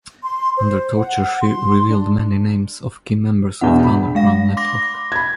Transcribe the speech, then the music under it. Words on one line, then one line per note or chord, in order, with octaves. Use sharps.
Under torture she revealed many names of key members of the underground network.
C6
C5
F#5
C6
D4
E2 B2 E3 D4 F#5
B5
G#3 F5 A#6
C6 D6 A#6
B5 G#6